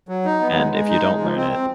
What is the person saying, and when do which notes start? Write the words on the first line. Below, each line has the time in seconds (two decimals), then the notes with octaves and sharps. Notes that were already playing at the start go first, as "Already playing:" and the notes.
And if you don't learn it
0.09 F#3
0.25 D#4
0.41 B3
0.56 G#3
0.72 G#3
0.89 D#4
1.04 G#3
1.20 F3
1.36 C4
1.51 C4